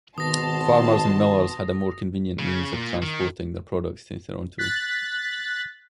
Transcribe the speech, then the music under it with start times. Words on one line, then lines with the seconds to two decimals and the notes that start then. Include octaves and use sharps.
Farmers and millers had a more convenient means of transporting their products to Toronto.
0.18 G#1 B2 D#3 B3 A5 C6 D#6 A#6
2.39 C#3
2.74 A#2
3.02 D#3
4.58 F#6 A6 B6